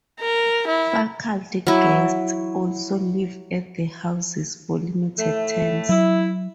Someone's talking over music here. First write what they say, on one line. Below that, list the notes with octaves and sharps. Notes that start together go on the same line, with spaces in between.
Faculty guests also live at the houses for limited terms.
A#4
E4
F#3 E4
A2 A3
F#3 E4